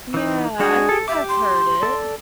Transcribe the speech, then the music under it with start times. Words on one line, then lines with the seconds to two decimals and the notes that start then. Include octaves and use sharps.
Yeah, I think I've heard it.
0.14 E3 D#4
0.59 G#3 D4 F#4 G#4
0.89 A4
1.08 G4 E5 D6
1.29 C6
1.83 A4 D5